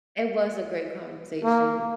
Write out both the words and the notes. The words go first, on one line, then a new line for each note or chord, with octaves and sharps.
It was a great conversation.
A#3